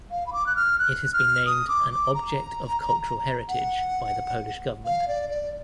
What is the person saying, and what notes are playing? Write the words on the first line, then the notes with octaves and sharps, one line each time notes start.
It has been named an "object of cultural heritage" by the Polish government.
F5
B5
D6
F#6
F6
F#6
F6
D#6
D6
D6
A#5
F#5
F5
D5
D5